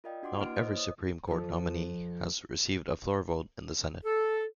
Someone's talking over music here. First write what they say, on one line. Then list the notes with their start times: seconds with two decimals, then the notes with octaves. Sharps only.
Not every Supreme Court nominee has received a floor vote in the Senate.
0.04 F4 A#4 D5 D#5 F5 G5
0.22 D4 F#4 F#5 C6 D6
0.40 A#3 E4 B4 D#5 F6 D7
0.56 C5 C#5 D#5
0.77 D#6
1.27 F2 F3
4.04 A4